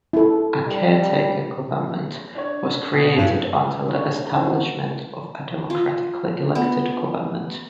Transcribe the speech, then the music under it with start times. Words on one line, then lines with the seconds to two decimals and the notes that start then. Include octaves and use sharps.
A caretaker government was created until the establishment of a democratically elected government.
0.13 E4 A4
0.67 G3
2.35 D4 C#5
2.93 B2
3.17 G2 E3 F#3
3.87 D#3 A#3 D4 C#5
4.07 C#4
4.32 E3 D#4 C5
4.44 D3 E3 C4 F#4
5.70 F4
6.55 B3